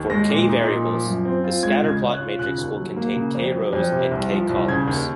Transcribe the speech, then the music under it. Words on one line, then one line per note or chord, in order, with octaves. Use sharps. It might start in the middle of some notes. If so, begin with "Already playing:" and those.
For k variables, the scatterplot matrix will contain k rows and k columns.
Already playing: D#2
G#3 A#6
A#2
D#4
A#2
F3
F#2
C4
F4
G#3 G#6
C#3
G#6
C#4
F#6
F4
C#3 F#6
D#2
F#3
A#3
C#3
F2
F#3
F2
C3
C2
F3
C2
C#3 G#6
D#2